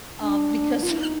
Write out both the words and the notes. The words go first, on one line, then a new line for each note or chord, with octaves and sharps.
um, because,
D4
F4
E4
D#4